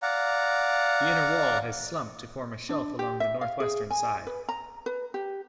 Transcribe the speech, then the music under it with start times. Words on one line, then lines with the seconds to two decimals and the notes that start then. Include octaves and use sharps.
The inner wall has slumped to form a shelf along the northwestern side.
0.02 D5 F5 F#5 A#5
2.69 D4
2.99 G4
3.20 E5
3.41 F5
3.60 G#4
3.90 G#5
4.27 B4
4.49 A#5
4.86 B4
5.14 G4